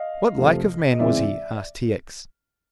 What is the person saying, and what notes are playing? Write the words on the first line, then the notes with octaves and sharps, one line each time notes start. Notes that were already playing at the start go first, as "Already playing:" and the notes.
"What like of man was he?" asked T. X.
Already playing: D#5 F5
F2 C3 F3 A3
D#5
E2 C#3 E3 G#3 C4 D5 E5